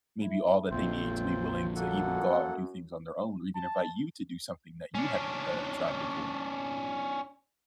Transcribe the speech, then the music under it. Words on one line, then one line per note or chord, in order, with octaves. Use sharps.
may be all that they need to be willing to even go out and do things on their own, or even invite you to do something that you haven't, uh, tried before.
E4
A#1 F2 C4 F4 C5
F#2 A#3 A4 F#5
A5
C#4 D4